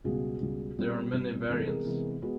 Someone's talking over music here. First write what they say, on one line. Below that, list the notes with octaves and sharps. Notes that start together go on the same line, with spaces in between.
There are many variants.
C#2 B2 G3 F#4 G#4
C#2 B2 G3
B2 G3 C4
B2 G3 C4
C3 E3 G#3 B3 A#4
A4
G#4 A#4
C3 E3 G#3 B3
G#3 B3 F#4 G#4